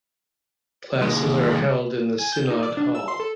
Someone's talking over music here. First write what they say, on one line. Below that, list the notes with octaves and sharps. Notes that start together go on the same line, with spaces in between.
Classes were held in the Synod Hall.
D#2 G#3
G#5
G6
D#4
D5
D4
E6
C6
A4